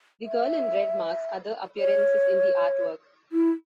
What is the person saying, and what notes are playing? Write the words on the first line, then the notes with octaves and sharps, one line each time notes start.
The girl in red makes other appearances in the artwork.
E5
C#5
E4